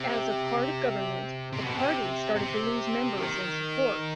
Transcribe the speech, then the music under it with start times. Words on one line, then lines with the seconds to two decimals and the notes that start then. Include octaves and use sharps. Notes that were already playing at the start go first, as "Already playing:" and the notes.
As a part of government, the party started to lose members and support.
Already playing: C3
1.53 C3
1.63 B2
1.74 C3
2.35 C3
3.17 D#3